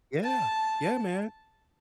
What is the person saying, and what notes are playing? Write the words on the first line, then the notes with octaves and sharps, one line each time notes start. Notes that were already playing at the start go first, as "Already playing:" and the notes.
Yeah. Yeah, man.
A5